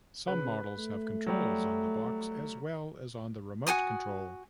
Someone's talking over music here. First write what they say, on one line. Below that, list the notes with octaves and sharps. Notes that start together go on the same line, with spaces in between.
Some models have controls on the box, as well as on the remote control.
C#3 B4
A3
F#3 G3
F#4 C5 G#5 D#6